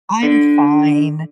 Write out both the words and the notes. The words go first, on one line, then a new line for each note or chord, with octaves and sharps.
I'm fine
D3